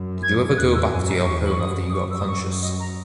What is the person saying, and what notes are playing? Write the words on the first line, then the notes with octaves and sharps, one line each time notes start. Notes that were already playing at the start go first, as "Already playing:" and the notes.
Did you ever go back to your home after you got conscious?
Already playing: F#2
G#6
E2 F#6
E6
F#2 G#5
A#5
E2 C#6
B5
C#6
F#2 D#6
D#6
F#2 C#6
E6
D#6
C#6
D#5
A#5